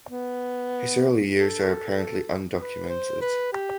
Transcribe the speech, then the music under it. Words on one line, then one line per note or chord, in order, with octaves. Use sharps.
His early years are apparently undocumented.
B3
A4
B4
C5
B4
G4